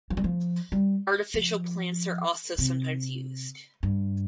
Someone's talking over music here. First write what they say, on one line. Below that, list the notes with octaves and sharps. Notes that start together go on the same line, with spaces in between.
Artificial plants are also sometimes used.
F3
G3
F3
G3
F3
C3
G2